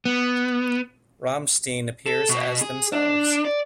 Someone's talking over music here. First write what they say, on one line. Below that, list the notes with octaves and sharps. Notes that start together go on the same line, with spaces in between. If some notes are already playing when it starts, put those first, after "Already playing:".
Rammstein appear as themselves.
B3
A4
B2
G#4
D4
D5